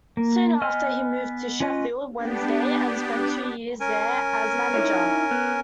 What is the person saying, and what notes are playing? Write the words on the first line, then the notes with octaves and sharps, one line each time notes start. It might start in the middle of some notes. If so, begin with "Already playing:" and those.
Soon after, he moved to Sheffield Wednesday and spent two years there as manager.
A#3
B3 D#5 G#5 F6
C#4 F4 B4 D#5
B3 D4 G4
C#4 A#4 G#5
D#4 E4 C#5
B3